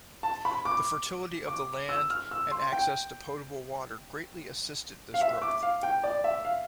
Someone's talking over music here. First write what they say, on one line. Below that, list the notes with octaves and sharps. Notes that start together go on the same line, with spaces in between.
The fertility of the land and access to potable water greatly assisted this growth.
A5
B5
D6
D6
E6
F6
E6
C6
G5
F5
E5
D6
F5
G5
D5
E5
F5